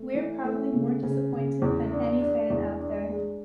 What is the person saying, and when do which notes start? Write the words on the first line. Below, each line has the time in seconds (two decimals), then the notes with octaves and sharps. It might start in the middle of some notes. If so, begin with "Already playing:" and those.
We're probably more disappointed than any fan out there.
Already playing: A3
0.15 E3
0.44 A3
0.73 C#3
1.03 C#3
1.32 C#3
1.62 E2
1.92 D4
2.21 D4
2.50 E2
2.80 D4
3.09 G#3